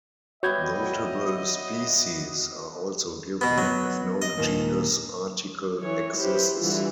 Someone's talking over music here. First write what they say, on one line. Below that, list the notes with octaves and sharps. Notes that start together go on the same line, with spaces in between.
Notable species are also given if no genus article exists.
G3 B3 F#4 C#5 D#5 E5 G6 G#6
B2 B3
F#3 B3 B4
D#5
D#2 A#2
E3 C#5
E4 G4 B4 C5
D3 E3 G3 F4 F#4